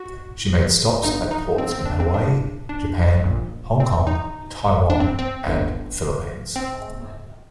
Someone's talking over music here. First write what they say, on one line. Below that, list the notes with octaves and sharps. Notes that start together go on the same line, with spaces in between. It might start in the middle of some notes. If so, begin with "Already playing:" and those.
She made stops at ports in Hawaii, Japan, Hong Kong, Taiwan and Philippines.
Already playing: F#4
G1 G2 D3 D#4
D#4
C4
C4
D4
C4
D4
D4
A#1 A#2
C4
D#4
D4
C4
C4
G1 G2 D3
C4